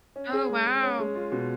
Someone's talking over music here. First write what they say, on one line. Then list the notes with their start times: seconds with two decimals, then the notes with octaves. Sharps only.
Oh, wow.
0.16 C#4
0.33 G#4
0.49 G#3
0.66 G#4
0.83 C#4
0.99 G#3
1.15 F4
1.32 B2